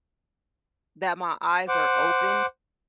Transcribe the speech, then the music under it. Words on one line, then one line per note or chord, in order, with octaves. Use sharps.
that my eyes are opened,
C5 F#5 D6